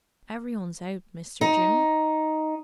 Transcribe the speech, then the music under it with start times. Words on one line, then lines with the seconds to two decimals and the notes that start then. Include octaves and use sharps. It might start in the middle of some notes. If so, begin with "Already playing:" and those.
"Every one's out, Mr. Jim."
1.41 D#4